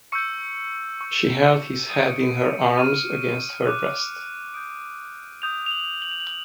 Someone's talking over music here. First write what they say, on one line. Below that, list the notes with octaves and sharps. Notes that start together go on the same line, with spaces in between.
She held his head in her arms against her breast.
C#6 E6 G6 C#7
C#6 E6 G6
D#6 G6 D#7
D7
C#7
D7
C#6 F6 D#7
D6 F#6
D#6 G6 D7
D#6 G6 F7
F7
F#7
F#7
F7
F#7